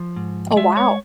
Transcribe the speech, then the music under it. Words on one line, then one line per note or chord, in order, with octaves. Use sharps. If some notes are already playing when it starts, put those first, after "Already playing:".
Oh, wow.
Already playing: F3
G#2
G#3 E5
C#5